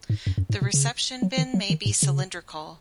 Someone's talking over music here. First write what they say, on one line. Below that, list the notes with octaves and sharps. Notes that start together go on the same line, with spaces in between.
The reception bin may be cylindrical.
G#2
F#2
F#2
G#2
B2
C#3
F#3
D#3
F#3
D#3
G#2
C#3